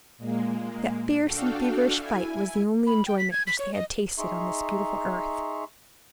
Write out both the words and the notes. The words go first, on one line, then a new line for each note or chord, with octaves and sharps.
That fierce and feverish fight was the only enjoyment which they had tasted on this beautiful earth.
A#2 G#3 A#3
D4 F#4 A4 F5 G5
E4 G#5
B5
G5
B6
G#6
B6
C#5
D#5
D#4 G#4 E5 A#5 C6 C#6